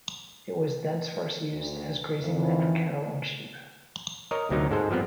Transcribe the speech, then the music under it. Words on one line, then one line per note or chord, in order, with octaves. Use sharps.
It was thenceforth used as grazing land for cattle and sheep.
D2
F2 D#3 E3
A#4 C#5 D#5
D2 C3 F#3 D#4 A#4
G#2 G#3 A4 C5
F3 G3 B3 C4